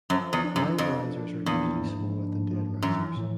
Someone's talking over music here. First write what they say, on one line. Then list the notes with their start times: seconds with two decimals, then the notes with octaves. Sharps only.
Live risers are usually smaller than dead risers.
0.10 F#2 F3
0.33 E2
0.44 D4
0.56 F#2
0.78 F2 F3
1.13 D4
1.46 E2 A#3
1.80 G#2
2.15 G#2
2.49 F3
2.82 F#2 E3
3.16 A2